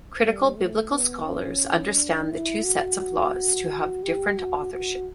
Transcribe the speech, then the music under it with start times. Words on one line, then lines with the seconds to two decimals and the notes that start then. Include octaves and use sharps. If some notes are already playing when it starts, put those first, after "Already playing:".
Critical biblical scholars understand the two sets of laws to have different authorship.
0.21 G3
0.56 A3
0.90 B3
1.25 C#4
1.95 D4
2.30 E4
2.64 F#4
4.03 G4
4.38 F#4
4.73 F#4